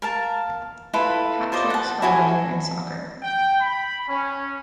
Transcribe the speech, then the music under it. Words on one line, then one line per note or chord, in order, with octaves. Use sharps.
Hat tricks are rare in soccer.
A#4 F5 A5
E4 F4 A4 B4
F4 C5 D5 D#5
F#5 A5
E4 F#4 A4 G#5
G5
B5
C#4